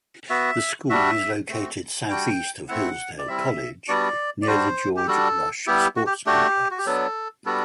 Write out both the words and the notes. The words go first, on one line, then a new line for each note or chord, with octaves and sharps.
The school is located south-east of Hillsdale College, near the George Roche Sports Complex.
B3 F#4 E5
G3 D4 F#4 E5
A3 C4 F#4
G3 D4 F#4 G5
A3 C4 E4 F#5
D5
G3 C4 E4 E5
G3 B3 D4 F#4 D5
D5
G3 D4 F#4 C5
G4
G3 D4 F#4 A4
G3 B3 E4 G4
F#4
G4
A3 D4 F#4 G4
F#4
G4
F#3 B3 D4 A4
G3 B3 D4 F#4 A4